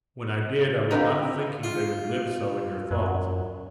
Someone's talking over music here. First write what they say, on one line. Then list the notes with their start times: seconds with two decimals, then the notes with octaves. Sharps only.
When I did I was not thinking they would live so in your thoughts.
0.91 D3 C4 D#4 F4 G4 B4
1.63 F4
2.91 F#2